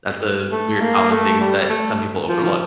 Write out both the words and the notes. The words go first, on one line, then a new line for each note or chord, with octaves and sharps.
That's a weird common thing that some people overlook,
A3
A#3
A3
G3
A3
F3